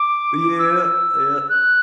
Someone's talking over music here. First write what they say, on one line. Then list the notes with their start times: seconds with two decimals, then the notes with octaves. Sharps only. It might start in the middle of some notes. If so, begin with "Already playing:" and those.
Oh yeah, yeah,
Already playing: D6
0.58 E6
1.49 F#6